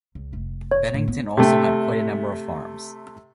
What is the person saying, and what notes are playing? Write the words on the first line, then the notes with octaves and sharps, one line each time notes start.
Bennington also had quite a number of farms.
C#2
F1 A3
C#5
A2
B3
C3 A3